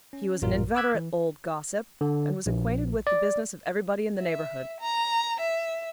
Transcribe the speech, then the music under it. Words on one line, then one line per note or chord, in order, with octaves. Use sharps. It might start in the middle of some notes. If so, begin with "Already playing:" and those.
He was an inveterate old gossip, and was acquainted with the business of everybody in the neighborhood.
C#4
A1 F#2 A#2 F4 A#4
D6 E6 F#6 G#6 B6
E3
D3
A#1
D5
E5
A#5
E5